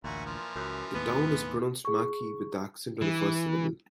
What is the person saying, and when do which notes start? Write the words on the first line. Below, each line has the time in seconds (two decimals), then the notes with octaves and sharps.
The town is pronounced "Mackie" with the accent on the first syllable.
0.04 A1 D2 A#2 C#4 E4 F#4
0.26 E3 F3
0.55 C#2 F#2
0.95 D#2 A2 B3
1.85 G#4 C#6
3.02 E3